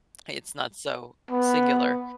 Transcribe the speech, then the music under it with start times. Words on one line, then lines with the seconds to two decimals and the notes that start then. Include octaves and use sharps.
It's not so singular.
1.30 B3